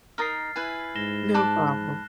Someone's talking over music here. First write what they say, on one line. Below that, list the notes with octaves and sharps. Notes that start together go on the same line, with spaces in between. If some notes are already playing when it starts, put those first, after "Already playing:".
No problem.
D#4 A#4 D#6 F6 A6 C7
E4 B4 G#5
G#2 A#6 E7 G7
A5 B5 D6 F#6